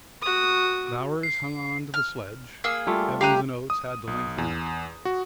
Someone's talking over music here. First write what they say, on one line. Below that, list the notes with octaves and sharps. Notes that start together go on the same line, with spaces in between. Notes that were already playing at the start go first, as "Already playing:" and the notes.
Bowers hung on to the sledge, Evans and Oates had to lengthen out.
F#4 D#6
C7
F6
A#3 G#4 E6
G3 A3 F4
G4 F5 G5 A#5 F#6 D#7
D#6
B1
E2
F#4